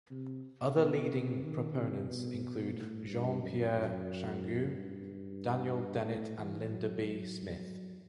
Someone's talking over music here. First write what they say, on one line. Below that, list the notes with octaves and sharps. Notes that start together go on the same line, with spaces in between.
Other leading proponents include Jean-Pierre Changeux, Daniel Dennett and Linda B. Smith.
C3
B2
C3
D#3
C3
B2
A2
G2
F#2
F#2
G2
A2
E3
F#3
F#3